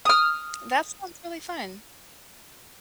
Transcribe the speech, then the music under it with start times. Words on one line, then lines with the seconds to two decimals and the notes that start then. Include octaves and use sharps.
That sounds really fun.
0.05 D#6 F6